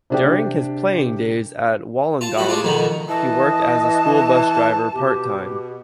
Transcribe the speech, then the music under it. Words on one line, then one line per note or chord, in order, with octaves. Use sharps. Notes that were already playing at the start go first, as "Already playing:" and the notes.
During his playing days at Wollongong he worked as a School Bus driver part-time.
C3 D4 G4
F4 A5
G3 B3 F#4
G#3 D4 F4
F2 B2 D#3
E3 D#5 A5
B2 G4